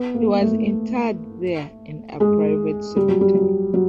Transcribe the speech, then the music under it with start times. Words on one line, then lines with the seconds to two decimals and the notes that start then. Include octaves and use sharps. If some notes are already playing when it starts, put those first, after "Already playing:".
He was interred there in a private cemetery.
Already playing: B3
0.14 A#3
0.41 A3
2.20 G#3
2.96 G3
3.09 F#3
3.21 G3
3.35 F#3
3.74 F#3